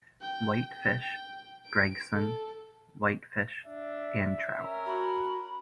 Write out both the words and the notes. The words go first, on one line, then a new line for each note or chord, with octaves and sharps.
Whitefish, Gregson, whitefish and trout.
G5
G5
D7
A4
D4 E5
C#4 A#4
F#4 B5